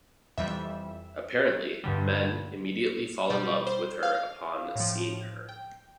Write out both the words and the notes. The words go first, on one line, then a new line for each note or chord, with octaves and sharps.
Apparently, men immediately fall in love with her upon seeing her.
F2 E3 G3 E5
G2 D3 G3
B2 G3 D5
C5
F5
A2 F3
G5